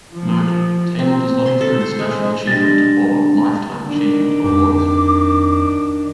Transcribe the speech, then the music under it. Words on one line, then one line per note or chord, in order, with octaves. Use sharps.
Note: Table does not include 'Special Achievement' or 'Lifetime Achievement' awards.
F3
C4
C6
A4
C5
G#3
G3 G#3 D4 A6 A#6
D#3 D4
F2 D6